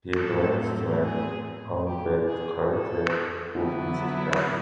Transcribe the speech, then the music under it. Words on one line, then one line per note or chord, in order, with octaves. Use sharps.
He belongs to an Ambedkarite Buddhist family.
A2 F#3 A3 C4 A4
G#4
G4
G#4
A4
D3 F#3 B3 E4